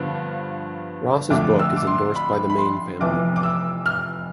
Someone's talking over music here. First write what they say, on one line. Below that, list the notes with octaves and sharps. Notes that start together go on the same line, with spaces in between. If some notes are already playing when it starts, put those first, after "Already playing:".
Ross's book is endorsed by the Mayne family.
Already playing: G2 D3 F3 B3
F2 D3 A3 D6
E6
D6
C6
B5
B5
C6
F1 F2 E3 B3 D6
D6
E6
F6